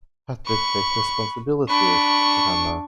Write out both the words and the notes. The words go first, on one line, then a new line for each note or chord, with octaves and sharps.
Patrick takes responsibility for Hana.
B5 C#6
D4 B5 C#6